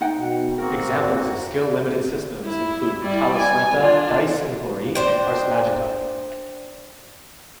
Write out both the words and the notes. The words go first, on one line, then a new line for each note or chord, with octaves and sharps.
Examples of skill-limited systems include Talislanta, Dice and Glory and Ars Magica.
D#4 F#5 G5
B2
A#3 C4 F#4 A#4
E4
G3 E4
G#5
D4 F4
D4 C5 G5